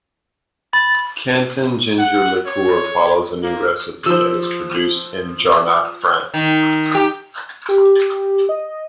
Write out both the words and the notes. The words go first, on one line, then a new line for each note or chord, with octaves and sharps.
Canton Ginger Liqueur follows a new recipe and is produced in Jarnac, France.
B5 A6
F#5
C#5
A#3
F3 C5 E6
D#3
G4
G4
D#5